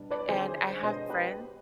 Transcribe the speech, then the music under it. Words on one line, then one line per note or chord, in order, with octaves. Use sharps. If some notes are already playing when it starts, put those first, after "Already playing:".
and I have friends
Already playing: B2 G3 D4
B4 D5
D3 F3 C4 D#4 G#4 C5
B2 G#3 B3 D4 C5 D#5
G4 B4